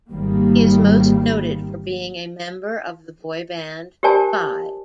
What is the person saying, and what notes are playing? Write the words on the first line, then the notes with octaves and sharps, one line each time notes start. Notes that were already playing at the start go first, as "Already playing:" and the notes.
He is most noted for being a member of the boy band Five.
G#1 D#3 G3 A#3
G4 A#4 C5 D5 G#5 A5